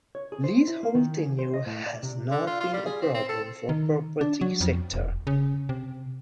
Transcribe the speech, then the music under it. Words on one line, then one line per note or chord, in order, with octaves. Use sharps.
Leasehold tenure has not been a problem for the property sector.
C#5
G#4
C5
E4
A#3
D#3
G#4
C5
D#5
A2
D5
C3
D3
F4
F4
G3
G#4
C4
C4
A4
D#3
D4
F#3
F2
E1
C#3
C3